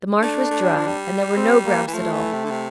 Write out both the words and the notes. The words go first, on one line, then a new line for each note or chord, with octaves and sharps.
The marsh was dry and there were no grouse at all.
A3 D4
A3
G3
F3
G3
C4
A#3
E3
F3 A3
E3
C3
D3
C3